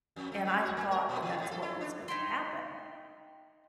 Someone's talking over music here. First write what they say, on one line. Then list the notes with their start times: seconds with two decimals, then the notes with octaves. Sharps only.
And I thought that that's what was gonna happen,
0.16 F2
0.32 A3
0.45 A2
0.65 F#4
0.77 A#3
0.91 A#4
1.09 A#2
1.22 E3
1.38 A2
1.51 A4
1.62 E4
1.81 D4
2.08 D#4 E4 G5 C6